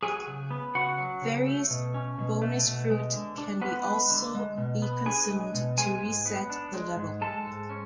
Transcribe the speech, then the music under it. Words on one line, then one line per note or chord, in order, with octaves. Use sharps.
Various bonus fruit can be also be consumed to reset the level.
F#3 G#4 G#5
C#3
B3
C#3 F#4 F#5
F#3
C#3
A3
B2
C#4
B2
A3
B2
G#3
D3
D4
D3 B3 B4
G#3
D3
G#3
B2
B3
D4 G#4 G#5
G#3
B2
G#3 G#4 G#5
G#2
B3
D4
G#3
G#2
G#3 A4 A5
G#2
C#4